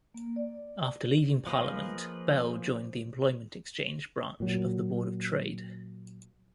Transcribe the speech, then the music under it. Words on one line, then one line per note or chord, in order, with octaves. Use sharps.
After leaving Parliament, Bell joined the Employment Exchange branch of the Board of Trade.
A#3
D5
F3 A#3 G#4 B4 D#5
A#2 F#3